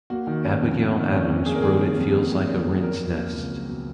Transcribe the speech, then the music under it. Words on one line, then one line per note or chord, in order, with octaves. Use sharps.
Abigail Adams wrote it feels like a wren's nest.
A#3 F#4
D#3
C#4
F2
A#3
D#3
C#4
F2
A#3 G#4
A#4
D#3 G#4
C#4
F2
A#3
D#3
C#4
F2
F#3 A#4
B2
A#3
C#2
F#3
B2